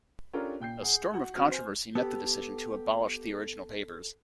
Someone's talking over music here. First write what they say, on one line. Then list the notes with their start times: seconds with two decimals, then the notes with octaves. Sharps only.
A storm of controversy met the decision to abolish the original papers.
0.33 C#4 D4 F4 G4 A4 A#4
0.60 A#2 G5 G6 C7
0.82 G#4 F#5
1.14 F#4 F#5
1.36 C4 F#4 F6
1.51 C5 G#5
1.95 B3 G4 A4